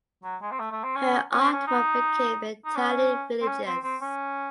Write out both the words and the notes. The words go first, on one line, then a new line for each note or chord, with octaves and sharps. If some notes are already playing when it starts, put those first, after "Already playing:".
Her artwork became entirely religious.
F#3
G#3
C4
A3
A3
C4
C#4
C#4
C4
C#4
D#4
D#4
C#4
C4
C#4
C4
C4
C#4